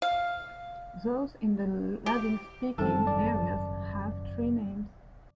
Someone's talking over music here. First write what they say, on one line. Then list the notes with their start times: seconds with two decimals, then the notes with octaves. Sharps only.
Those in the Ladin-speaking areas have three names.
0.02 F5
2.06 G4
2.78 F#1 F#2 D#3 G3 C4 A4 A5
3.06 G#1 D5